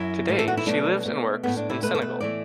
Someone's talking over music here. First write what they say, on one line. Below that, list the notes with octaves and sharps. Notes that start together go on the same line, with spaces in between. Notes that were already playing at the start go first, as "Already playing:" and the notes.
Today she lives and works in Senegal.
Already playing: F#2 F#3 E4
A2 E3 A3
A4
F#4
E4
B2 F#3 A3 D4
B2 A3
A2 A3 B3
D4
E4
B2 A3 B4
A4
B4
A2 E3 A3 D5